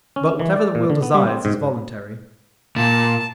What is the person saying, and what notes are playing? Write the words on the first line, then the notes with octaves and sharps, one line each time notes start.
But whatever the will desires is voluntary.
C#4
E3
D5
A#2
D3
B3
G3
C4
G#2
A#2 A5